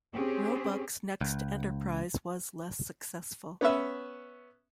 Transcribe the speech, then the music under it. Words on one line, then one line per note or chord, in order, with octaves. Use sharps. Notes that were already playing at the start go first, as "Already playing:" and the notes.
Roebuck's next enterprise was less successful.
C4 C#4 G4 G#4
C#2
B3 C#4 B4 E5